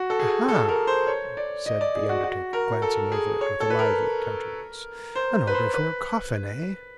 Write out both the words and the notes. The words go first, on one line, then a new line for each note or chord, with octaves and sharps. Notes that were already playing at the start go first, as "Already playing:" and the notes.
'Aha!' said the undertaker, glancing over it with a lively countenance; 'an order for a coffin, eh?'
Already playing: F#4
A4
G#4
A4
A4
A#4
C5
C#5
D5
D#5
D5
G#4
F#4
F#4
A#4
A4
G#4
C#5
A4
B4
A#4
C5
B4
C5
B4